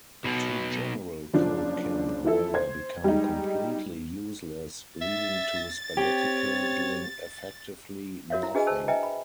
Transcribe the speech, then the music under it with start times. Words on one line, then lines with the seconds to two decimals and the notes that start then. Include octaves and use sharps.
Too-general code can, however, become completely useless, leading to spaghetti code doing effectively nothing.
0.24 B1 B2
1.34 F#1 F3 D4
2.25 E3 F3 E4 A4
2.54 C5 G#6
3.04 G3 G#3 D#4
5.02 E5 A6
5.97 C4 G4 C#5
8.30 F#4 A#4 C#5 E5 F5
8.43 E4 A#5
8.54 D4 F#4 G#4 B4 D#5 G#5
8.67 C5 A5 E6
8.88 B4 D#5 E5 G5 G#5 A#5
9.03 B5